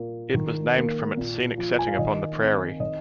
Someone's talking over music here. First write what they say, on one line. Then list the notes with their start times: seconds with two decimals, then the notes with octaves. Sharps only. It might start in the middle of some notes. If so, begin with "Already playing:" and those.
It was named from its scenic setting upon the prairie.
Already playing: A#2 A#3
0.34 D#3
0.75 A#3
1.17 A#2
1.58 F3
1.79 G#5
1.88 F5
1.98 D#3 D#5
2.40 C4
2.80 D#3 D#5